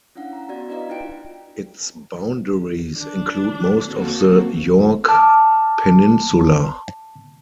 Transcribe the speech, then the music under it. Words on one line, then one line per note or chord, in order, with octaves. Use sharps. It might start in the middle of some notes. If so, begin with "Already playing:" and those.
Its boundaries include most of the Yorke Peninsula.
C#4 D4 E4 F5 F#5
A#5
B3 E4 F#4 D5 G#6
D4 B4 D5 D#5 F5 A#5
D#4 F4 B4 G5 D7
D4
A#3 C4 F#4 A4
A5 D6 F6